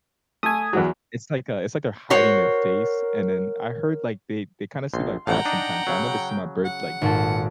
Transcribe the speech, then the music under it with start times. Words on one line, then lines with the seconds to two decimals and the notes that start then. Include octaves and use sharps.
Like it's like a it's like they're hiding their face, and then I heard, like, they they kinda sleep like bats, sometimes, but I never see my bird, like,
0.43 A3 G#5 D#6
0.73 E2 F#3
2.10 F#4 A#4 C5 C#5
4.94 A#1 C6
5.27 A1 F2 A2 F#5 G5 A#5
5.45 D4 D#4
5.87 C#3 F#3
6.65 F#5
7.01 G#1 A#2 A4